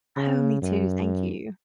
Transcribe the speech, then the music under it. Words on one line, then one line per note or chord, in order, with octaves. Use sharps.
Oh, me too, thank you.
C#3
F#2